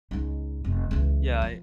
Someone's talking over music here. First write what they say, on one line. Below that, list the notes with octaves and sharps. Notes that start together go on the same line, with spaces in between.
Yeah, I
C#2 D#4
F1
C#2 E3
F3